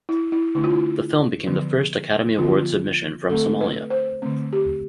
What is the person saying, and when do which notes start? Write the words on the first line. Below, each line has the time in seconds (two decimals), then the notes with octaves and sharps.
The film became the first Academy Award submission from Somalia.
0.09 E4
0.32 E4
0.55 D3 A3 D4 E4
0.64 F4
0.73 E4
1.47 D3 F3 B3
2.38 D3 F3 B3 F4
3.30 D3 A3 C4 A4
3.61 B4
3.90 C5
4.22 D3 A3 C4
4.53 G4